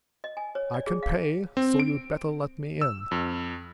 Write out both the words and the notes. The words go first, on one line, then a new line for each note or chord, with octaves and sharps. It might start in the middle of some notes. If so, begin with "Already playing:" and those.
I can pay; so you'd better let me in.'
D#5
G#5
C#5
D5
G#4
F5
C4
D7
E6
F2